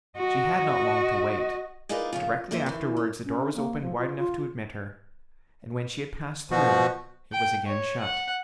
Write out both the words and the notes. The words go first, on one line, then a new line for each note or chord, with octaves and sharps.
She had not long to wait; directly afterwards the door was opened wide enough to admit her, and when she had passed through, it was again shut.
F#4 D#5
D#4 F4 G#4 A#4 B4 D5
C#3 F3 F4
F#2 A#3 C5 E5
D#3 E3
C#4
C#4
A#3
F3
F4
F4
B2 F3 F#4
G5
C#5
F#5